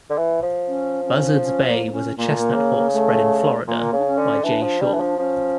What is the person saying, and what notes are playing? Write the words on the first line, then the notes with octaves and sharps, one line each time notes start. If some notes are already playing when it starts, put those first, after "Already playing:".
Buzzards Bay was a chestnut horse bred in Florida by Jay Shaw.
D3
E3
F3
C#4
C#4
C#4
A#3
A#3
C#4
A#2 A#3
A3
A#3
C#3
A3
A#2 A#3
C#3
D4
C#4
D3
E3 D4
F3
G3 D4
E3
F3
F3 C#4